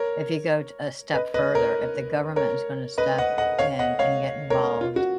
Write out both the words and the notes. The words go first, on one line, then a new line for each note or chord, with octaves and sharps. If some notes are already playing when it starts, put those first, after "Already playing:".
if you go a step further, if the government is gonna step in and get involved
Already playing: A#4 C#5
B4 D#5
B4 D#5
A#4 C#5
A#4 C#5
B4 D#5
D#5 F#5
D#5 F#5
C#5 F5
D#5 F#5
C#5 F5
A#4 C#5
F4
F#4